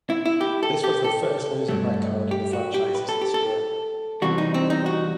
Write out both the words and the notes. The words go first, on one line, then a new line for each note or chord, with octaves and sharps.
This was the first losing record in the franchise's history.
E4
E4
G4
A4
G4
A4
G2 F#3 A3
G4
F#4
G4
B4
A4
G4
A4
E2 C3 E3 G3 F#4
D#4
C4
D#4
F#4